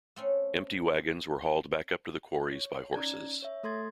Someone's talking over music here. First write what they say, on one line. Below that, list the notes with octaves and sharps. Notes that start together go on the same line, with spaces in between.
Empty wagons were hauled back up to the quarries by horses.
A3 C4 C#4
C#5
C#4 D#4 D5 A#5 G#6
C#5 E5
A3 A4 C6 G#6 A6